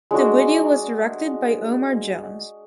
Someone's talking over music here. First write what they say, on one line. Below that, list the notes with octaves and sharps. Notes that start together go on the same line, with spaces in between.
The video was directed by Omar Jones.
G#3 D4 F#4 D6